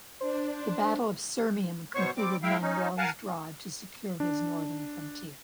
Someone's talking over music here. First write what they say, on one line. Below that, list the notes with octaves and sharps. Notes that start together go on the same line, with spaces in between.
The Battle of Sirmium completed Manuel's drive to secure his northern frontier.
D4 C5
B2 B3 C5 C#5 C#6
G3 C4 D6
G#3 E4 E5 F5 G5
C#4 D#4
A#4 F5 F#5 G#5 A5
D4